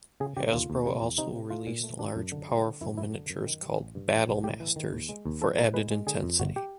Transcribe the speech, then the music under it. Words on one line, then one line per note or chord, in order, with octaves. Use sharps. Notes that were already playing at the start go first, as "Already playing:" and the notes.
Hasbro also released large, powerful miniatures called "Battle Masters," for added intensity.
C#3 G#4
C#3 G4
D#2 F4
D#2
C3
E2
C3 D#4
C3
A3 F4
A#2
A3
D4
F#2
D3
G3
D3
F#2 E4
F#2 E4
D3
F#2
D#3
G3
A1
G2
E3
B1
A2 G4
E3
D#3
D#2
G#3
D#2
F3 A4
A2 A#4
G#3 B4
G#3
D3 G#4
F2
G1 F#4
G4